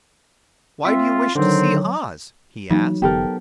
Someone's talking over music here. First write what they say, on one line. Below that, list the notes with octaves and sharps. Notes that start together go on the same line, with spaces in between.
"Why do you wish to see Oz?" he asked.
C4 F4 E5
D3 D#3 F#3 C4
E3 F#3 A#3 D#4
F1 D3 E3 B3 G4 A4 A#4